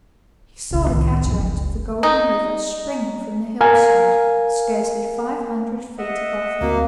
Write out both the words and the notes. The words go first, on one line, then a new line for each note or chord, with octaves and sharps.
He saw the cataract of the Golden River springing from the hillside scarcely five hundred feet above him.
D#1 C2 C#3
C2 A2 D#3
F#1 F2 F3 F#3
F#1 C#2
D#4
A#4 F5 G#5
D#5 E5 F#5
D2 A#3 C4 F#4